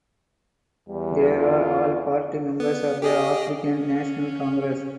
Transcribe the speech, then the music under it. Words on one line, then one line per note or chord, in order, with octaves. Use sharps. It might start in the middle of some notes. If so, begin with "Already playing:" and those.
They are all party members of the African National Congress.
E2 G3
F4
B3
G4 G#4 D#5
C#4